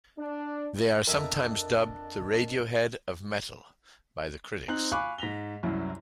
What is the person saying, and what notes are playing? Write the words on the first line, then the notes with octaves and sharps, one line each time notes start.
They are sometimes dubbed "the Radiohead of metal" by critics.
D4
F2 D4 A#4 D#5 E5 A#5
C4 D#4 C5 F#6 F#7
F5 G#5 B5 C#6 D6 F#6
G#2 A#6 B6 F7 G7
C2 F#2 E4